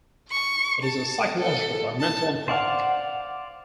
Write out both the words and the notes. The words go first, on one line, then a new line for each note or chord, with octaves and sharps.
It is a psychological or mental empire.
C#6
A5
A4
A5
C5 D5 F5 F#5